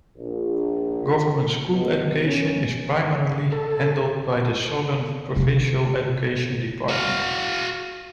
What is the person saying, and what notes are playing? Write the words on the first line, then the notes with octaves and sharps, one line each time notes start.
Government School education is primarily handled by the Southern Provincial Education Department.
A#1
B2
C#4
A4
C3 F3
F#4 F5